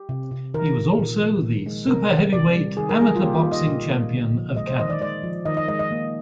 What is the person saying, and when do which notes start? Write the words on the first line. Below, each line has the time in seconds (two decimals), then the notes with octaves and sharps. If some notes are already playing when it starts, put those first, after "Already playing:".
He was also the super heavyweight amateur boxing champion of Canada.
Already playing: G4
0.09 C3
0.31 C3
0.54 D#3 A#4
0.76 D#3
0.99 A#2
1.20 F3
1.44 D#3
1.66 G#3
1.87 C3 A#4
2.11 C3
2.33 C3 D5
2.55 G3
2.77 D#3 G#4
2.89 A#4
3.00 G3 G#4
3.15 F4
3.22 A#3 G4
3.37 F4
3.45 D#3
3.52 D#5
3.67 A#2
3.89 A#3
4.12 D3
4.34 F3
4.56 G#3 D#5
4.67 C5
4.79 D#3 D#5
4.90 D5
5.00 G#3 D5
5.23 F3
5.46 D#3 D#5
5.57 D#5
5.68 G#3 D#5
5.79 D#5
5.91 A#3